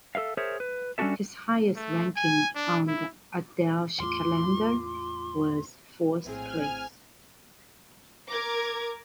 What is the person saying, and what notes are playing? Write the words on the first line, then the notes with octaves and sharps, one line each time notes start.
His highest ranking on the Adelskalender was fourth place.
A4 A#4 E5 F5
G#4 A#4 C5 C#5 E5
B4
G3 C#4 D4 F#4 A4 E5
A3
G#5
D4
E4
E2 A2 A3 F4 C6 D6
A#1 A2 C4 G#4 G#5 F6
A#4 A#5 D6 G#6